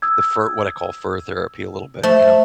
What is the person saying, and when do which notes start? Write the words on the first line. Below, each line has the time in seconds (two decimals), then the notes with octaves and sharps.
the fur what I call "fur therapy," a little bit, you know,
0.02 D#6 E6 G#6
2.03 A3 C5